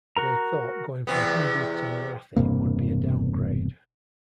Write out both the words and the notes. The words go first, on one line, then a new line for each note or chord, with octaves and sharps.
They thought going from Hindi to Marathi would be a downgrade.
F#4 A#4 A#5
E2 C3 B3
E1 G2 C3 A#3